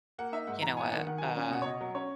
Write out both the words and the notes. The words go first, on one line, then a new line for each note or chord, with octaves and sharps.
you know, a a
A#3 F#5
D#4 E5
G#2 F#5
E3 A#5
B3 G#5
D#3 F#5
D#3 F#5
F#3 G#5
F#5
C#4 G#5
B2 F#5
C#5
B2 D#5
F#3
C#4 C#5